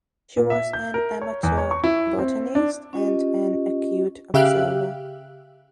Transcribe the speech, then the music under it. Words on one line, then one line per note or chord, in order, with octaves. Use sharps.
She was an amateur botanist and an acute observer.
A#2
E5
G6
A#4
C#5
E2
C#5
C#6
E4
C4
D4
C#4 F4 G4 D#5
C#3 G4 E5 F5 F#6